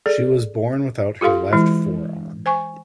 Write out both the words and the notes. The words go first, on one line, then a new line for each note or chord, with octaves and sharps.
She was born without her left forearm.
G#4 A4 D5
F4 G4 A4 F5 C6
E3 G#3 E4
C5 G#5 C#6